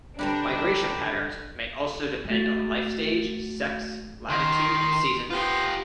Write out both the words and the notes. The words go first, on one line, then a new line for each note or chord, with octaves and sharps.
Migration patterns may also depend on life stage, sex, latitude, and season.
D3 G3 C4 D4 G4 B4 A#5
A3 F#4 A6
D#3 C6
B3 F4 G4 C5